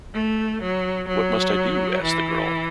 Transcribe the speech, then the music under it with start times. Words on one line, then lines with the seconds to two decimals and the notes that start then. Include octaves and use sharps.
What must I do? asked the girl.
0.13 A3
0.60 F#3
1.07 F#3
2.02 E3